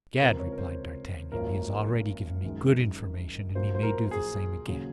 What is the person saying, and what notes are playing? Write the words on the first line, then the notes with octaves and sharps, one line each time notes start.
"Gad!" replied D'Artagnan; "he has already given me good information and he may do the same again."
C#2 C3 F3 C4 A#4
C#5
A#4
C5
G#1 F#2 F3 A#3 C#4 A#4
F#1 F#2 D#3 G#3
A#1 A#2 F#3 A#3 C5
C5
A#4
A#4
G#4
D#2 C#3 F#3 C#4